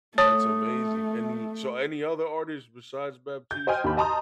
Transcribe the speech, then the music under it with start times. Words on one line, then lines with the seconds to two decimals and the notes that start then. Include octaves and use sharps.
that's amazing. Any So any other artists besides Batiste?
0.18 A3 C#5 A5 D#6
3.51 G6
3.67 C5 D#5 G5 G#5 F6
3.84 D#2 B5
3.97 D#5 A5 A#5 C6 D#6